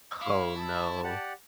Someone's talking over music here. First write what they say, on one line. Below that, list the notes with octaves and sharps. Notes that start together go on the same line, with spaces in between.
Oh, no.
E4 F5
A5
G4 D5 F#5